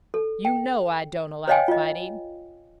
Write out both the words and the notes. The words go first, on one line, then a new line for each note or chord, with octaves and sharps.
"You know I don't allow fighting."
A4
G5
C5 C#5 D#5 F5 G5 G#5
F4 D#5